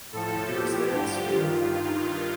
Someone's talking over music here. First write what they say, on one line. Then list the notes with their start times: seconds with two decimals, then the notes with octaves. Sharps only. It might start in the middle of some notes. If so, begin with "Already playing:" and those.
He was there in spirit.
0.12 A2 F3 A4
0.52 A2 F3 G4
0.92 G2 D3 F3
1.32 G2 D#3 F4